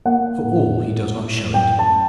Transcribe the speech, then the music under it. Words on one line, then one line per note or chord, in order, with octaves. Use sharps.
For all he does not show it.
A#3 F#5
A2
A2
A2
F#2 G5
A5